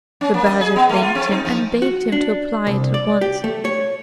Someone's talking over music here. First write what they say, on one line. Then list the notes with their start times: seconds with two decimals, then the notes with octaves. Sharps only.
The badger thanked him and begged him to apply it at once.
0.21 C#4
0.34 A#3
0.46 D#5
0.61 G#4
0.76 B3
0.89 A3
1.02 F4
1.15 C4
1.32 D#4
1.45 F3
1.82 F#4
2.12 D4
2.67 C2
2.94 D5
3.21 G4
3.44 A3
3.65 C#5